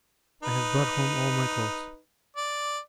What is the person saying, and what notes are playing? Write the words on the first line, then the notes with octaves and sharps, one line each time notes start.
I have brought home all my clothes.'
D#4 B4
D5